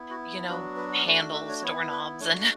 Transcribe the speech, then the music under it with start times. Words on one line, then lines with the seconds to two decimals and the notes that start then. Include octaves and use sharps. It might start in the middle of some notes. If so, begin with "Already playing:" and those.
you know, handles, doorknobs, and
Already playing: B3 E4
0.10 F#4
0.48 F#3 B3 D4 F#4 B4
0.76 B4
1.05 A3 D4 F#4 D5
1.19 E5
1.34 E5
1.49 C#5
1.62 B3 E4 C#5
1.91 B4
2.20 A3 D4 F#4 C#5